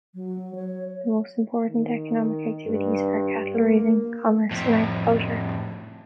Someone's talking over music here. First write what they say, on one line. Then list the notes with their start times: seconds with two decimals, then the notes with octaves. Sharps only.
The most important economic activities are cattle raising, commerce, and agriculture.
0.15 F#3
0.55 C#5
1.69 D#3
2.66 G2
3.59 A#3
4.51 F2 A2